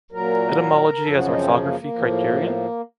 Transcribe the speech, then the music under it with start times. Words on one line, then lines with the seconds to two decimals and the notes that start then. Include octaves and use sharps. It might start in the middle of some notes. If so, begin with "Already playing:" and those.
Etymology as Orthography Criterion?
0.12 A#2 F#3 A#4
1.03 F#2 C#3 F3 A4
1.15 F#4
1.26 D#4
1.38 C4
1.48 A#3
1.64 A#3
1.80 A#3
1.94 A2 F3